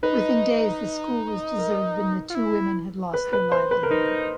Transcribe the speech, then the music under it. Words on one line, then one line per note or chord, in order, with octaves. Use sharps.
Within days the school was deserted and the two women had lost their livelihood.
D#4 B4
A#4
F4
E4
B4
B4
C5
B4
A#4
D#4 B4